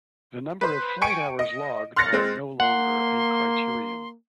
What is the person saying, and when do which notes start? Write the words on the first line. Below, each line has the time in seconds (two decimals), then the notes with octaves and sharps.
The number of flight hours logged are no longer a criterion.
0.61 B4 C5
1.02 G5 G#5 C#6 C#7 D7
1.39 D#5
1.96 C6 F6 F#6 A6 A#6 C#7
2.13 G#3 C4
2.60 A#3 F#5 C6